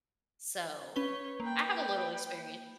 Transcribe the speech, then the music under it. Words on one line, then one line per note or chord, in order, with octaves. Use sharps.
So I have a little experience.
C#4 B4 C#5 G7
A#3 B4 G5